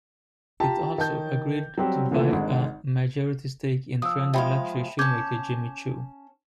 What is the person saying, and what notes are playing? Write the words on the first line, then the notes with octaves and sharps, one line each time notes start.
It also agreed to buy a majority stake in trendy luxury shoemaker Jimmy Choo.
F4 G4 A5 A#5
D#3 A5 G6
F#3 G3 C4 G4
A#2 D3 E3 F3 A3
G#1 D3 G#3
F3 D#6 E6
F3 G#3 E5 F5 G5 B5
C#4 A5 D6 G6 G#6